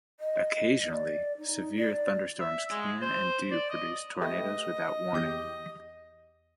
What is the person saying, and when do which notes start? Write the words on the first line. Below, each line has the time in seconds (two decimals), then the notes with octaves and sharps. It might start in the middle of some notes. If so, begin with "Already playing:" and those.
Occasionally, severe thunderstorms can and do produce tornadoes without warning.
0.20 D#5
0.89 D5
1.38 D#4
1.78 D5
2.40 E5
2.71 G#3
3.02 C5
3.52 D5
3.70 D#5
4.21 A3 G4 B4 D#5
5.13 E2 G4 G6